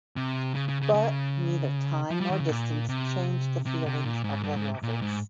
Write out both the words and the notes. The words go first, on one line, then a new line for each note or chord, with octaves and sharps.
But neither time nor distance changed the feelings of the lovers.
C3
C#3
C#3
C#3
C#3
F3
G3
D#3
C#3
A#2
C3
C3
C3
A#2
G#2
G2
G#2
A#2
G#2